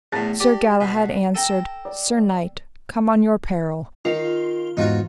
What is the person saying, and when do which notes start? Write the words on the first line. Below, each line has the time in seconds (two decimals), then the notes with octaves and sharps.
Sir Galahad answered: Sir knight, come on your peril.
0.12 E2 A2 A5 A6 A#6
0.40 G4 D5
0.81 B2
1.35 A4 G5 A#5
1.85 D5
4.05 D#3 F4
4.77 E2 G#2 D#4 F4 F#4